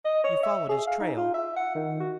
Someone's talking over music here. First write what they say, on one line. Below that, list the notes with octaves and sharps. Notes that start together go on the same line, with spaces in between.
"You followed his trail?"
D#5
C#5
E5
G#4
F5
D#4
F4
E5
F#5
D#3
F#4